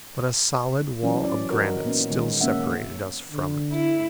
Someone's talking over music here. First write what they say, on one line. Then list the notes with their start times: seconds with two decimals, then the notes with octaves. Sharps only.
But a solid wall of granite still separated us from it!
1.03 E3 F#3 C#4
1.24 C#4 D5
1.50 D#4 F#4 A#4
1.85 A#2 B3 C#4
2.10 D#3 G#3
2.41 A#3 C#4 E5 F#5
3.31 D3
3.72 E4